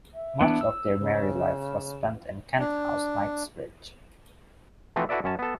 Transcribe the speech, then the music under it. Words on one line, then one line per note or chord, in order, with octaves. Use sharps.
Much of their married life was spent in Kent House, Knightsbridge.
E5
E3 B3 D4
E6
C#3
D4
E3 F3 A3 C4 F#4 B4
E4 F#4 A4 B4 D5 E5
F#2 C#4 A5
B3 A4